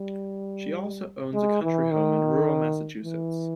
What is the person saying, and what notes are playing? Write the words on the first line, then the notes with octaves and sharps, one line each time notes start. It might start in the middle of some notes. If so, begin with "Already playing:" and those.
She also owns a country home in rural Massachusetts.
Already playing: G3
G#3
E3
D#3
E3